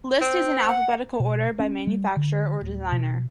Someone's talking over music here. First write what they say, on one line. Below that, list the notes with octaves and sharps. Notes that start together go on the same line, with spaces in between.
List is in alphabetical order by manufacturer or designer.
C4
F#5
B2
C#4
G3
D3
D1
B2